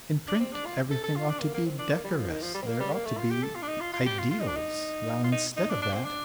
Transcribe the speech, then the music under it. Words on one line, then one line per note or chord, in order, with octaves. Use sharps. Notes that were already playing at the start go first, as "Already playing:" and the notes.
In print everything ought to be decorous; there ought to be ideals, while instead of that....
D4
C4
D4
F4
A4
A4
F4
D4
A#3
A#3
C4
D4
A#3
G3
F3
D#3
F3
G3
C4
A#3
G3
A#3
A3
F4
G4
A4
F4
D4
D#4
F4
F4
G4
F4
F4
D#4
D4
D#4
F4
D#4
D#4
D4
D4
C4
D4